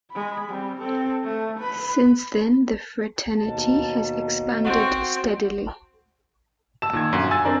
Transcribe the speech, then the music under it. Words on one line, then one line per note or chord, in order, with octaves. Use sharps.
Since then the fraternity has expanded steadily.
G#3 B5
G3 C4
C4 A4
A3
B4 B5
D#2 B2 A5
C4 F#4 F#5 C#6
A5 E6 E7
A#2 D#3 G#6
G1 F#2
G#5 E6 A6
C4 D4 A#4